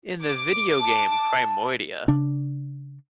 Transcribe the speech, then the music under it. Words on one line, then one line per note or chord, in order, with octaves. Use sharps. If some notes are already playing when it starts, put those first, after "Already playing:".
In the videogame "Primordia".
D6
A5
C#3 D4